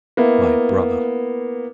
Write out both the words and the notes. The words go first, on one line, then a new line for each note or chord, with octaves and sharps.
My brother!
A#3 B3 E4